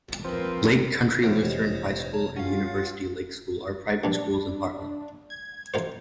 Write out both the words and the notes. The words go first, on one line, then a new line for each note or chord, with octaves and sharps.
Lake Country Lutheran High School and University Lake School are private schools in Hartland.
F3 C4 A#4 B4
A#2 E3 C5 C#5 F#5 F6 D7
F1 G4 C5 C#5 D#5
C#5 A5
C#4 F4 F5 F#5
A#1 G2 D4
G#6
A1 F4 C5